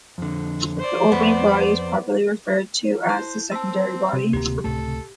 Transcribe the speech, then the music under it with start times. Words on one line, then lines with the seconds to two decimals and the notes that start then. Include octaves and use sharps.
The orbiting body is properly referred to as the secondary body.
0.18 F2 D3
0.80 C5 D5
1.12 F2 B3
3.09 E4 C5 G6
3.52 C4 A5 E6
4.13 C3
4.33 D1 D2 A#3 G4
4.64 C#2 A2 A3 A4